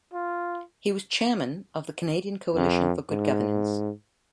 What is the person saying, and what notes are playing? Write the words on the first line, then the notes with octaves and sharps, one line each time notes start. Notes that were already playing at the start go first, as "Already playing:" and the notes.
He was Chairman of the Canadian Coalition for Good Governance.
F4
F2
G#2